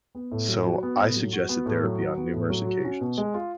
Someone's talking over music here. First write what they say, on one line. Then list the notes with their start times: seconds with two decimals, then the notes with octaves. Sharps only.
So, I suggested therapy on numerous occasions,
0.15 B3
0.31 A2
0.48 F#3
0.65 F#4
0.83 B3
1.00 A2
1.16 F#3
1.33 F#4
1.49 B3
1.66 A2
1.83 F#3
2.00 F#4
2.17 B3
2.34 A2
2.50 F#3
2.67 F#4
2.84 C#4
3.00 B2
3.18 G#3
3.34 F4